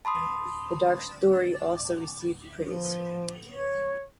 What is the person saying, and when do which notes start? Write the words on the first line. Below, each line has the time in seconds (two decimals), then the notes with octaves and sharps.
The dark story also received praise.
0.05 A5 B5 C6 D#6
2.64 F3
3.49 C#5